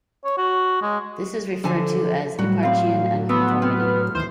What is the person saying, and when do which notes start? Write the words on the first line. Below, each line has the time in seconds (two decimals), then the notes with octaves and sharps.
This is referred to as Eparchaean Unconformity.
0.24 C#5
0.38 F#4
0.82 G#3
1.64 D3 F3 A4 G#5
2.39 A2 F#3 G3 F#4
2.63 G3 C4 F5
3.29 F3 B3 E6
3.62 C4 F6
4.15 D#2 E3 C5